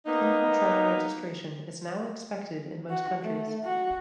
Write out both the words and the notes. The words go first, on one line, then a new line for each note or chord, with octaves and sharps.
Clinical trial registration is now expected in most countries.
A#3 B3 D#4
F#4
A3
F#4